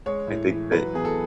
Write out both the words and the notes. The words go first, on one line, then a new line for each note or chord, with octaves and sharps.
I think that
G#3 C#5
A2
E3
F#3 B4
E2 G#4
A4